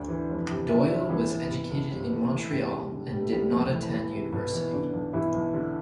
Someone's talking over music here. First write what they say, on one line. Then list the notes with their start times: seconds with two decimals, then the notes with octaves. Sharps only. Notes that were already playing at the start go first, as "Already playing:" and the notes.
Doyle was educated in Montreal, and did not attend university.
Already playing: D2 D4 D5
0.08 E3
0.29 F1
0.49 C3
0.69 B1 E4 E5
0.79 D4 D5
0.89 E3 E4 E5
1.09 C2 E3 E4
1.31 E3
1.50 B2
1.71 B1
1.90 G1 C3 C4
2.00 B2 B3
2.10 E3
2.21 A3
2.31 E3
2.51 C3
2.71 E1 G3
2.92 D3
3.12 B2 G3
3.21 A3
3.31 C2 G3
3.42 G3
3.52 F1 A3
3.72 E3
3.92 E3
4.12 C3
4.33 B1 B2 B3
4.54 E3
4.73 B2 D3 D4
4.93 B1
5.13 B2 E3 E4
5.34 B1
5.54 D3